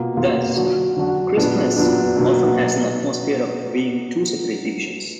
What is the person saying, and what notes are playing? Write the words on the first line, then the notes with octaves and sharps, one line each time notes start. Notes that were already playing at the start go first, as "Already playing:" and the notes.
Thus, "Christmas" often has an atmosphere of being two separate divisions.
Already playing: B2 A#3 F4
B2 A#3 F4
D3 F#3 D4 F#4
D3 F#3 D4 F#4
A#2 F#3 B3 D4
A#2 F#3 B3 D4
B2 F#3 A#3 D4